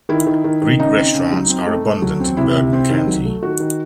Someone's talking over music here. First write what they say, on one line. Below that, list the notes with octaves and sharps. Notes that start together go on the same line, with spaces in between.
Greek restaurants are abundant in Bergen County.
D#3 E4
D#3
D#3
D#3
C#3 D#4
C4
C#3
F#3
C4
A3
A3
F#3
C4
C3 E4
C3
C4
D#3
F#3
A3
D#3 F#4
D#3